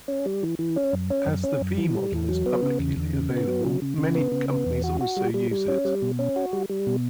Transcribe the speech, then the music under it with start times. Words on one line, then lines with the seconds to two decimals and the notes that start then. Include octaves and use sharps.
As the V-model is publicly available many companies also use it.
0.08 C#4
0.26 G3
0.43 E3
0.59 E3
0.76 C#4
0.93 F#2
1.10 C#4
1.27 F#2
1.43 C#4
1.61 F#2
1.78 E3
1.95 G3
2.12 E2
2.29 F#3
2.46 B3
2.63 C#3
2.79 E2
2.97 E2
3.13 C#3
3.31 B3
3.48 F#3
3.65 C#3
3.82 C#3
3.98 C#3
4.15 B3
4.32 C#3
4.50 B3
4.66 E2
4.84 F#4
5.01 F#4
5.17 G3
5.34 G3
5.51 G3
5.68 C#4
5.85 G3
6.02 B2
6.19 C#4
6.36 F#4
6.53 G3
6.69 G3
6.87 B2